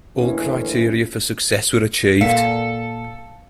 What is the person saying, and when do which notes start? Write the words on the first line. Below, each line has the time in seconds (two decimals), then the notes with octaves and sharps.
All criteria for success were achieved.
0.18 D#2 A2 D3 E3 F3 C#4
2.21 A#2 A4 F5 F#5